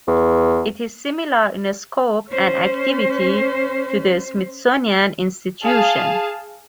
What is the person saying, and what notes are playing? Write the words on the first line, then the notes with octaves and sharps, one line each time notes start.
It is similar in scope and activity to the Smithsonian Institution.
E2
C#4 C5
G#4 F5 A5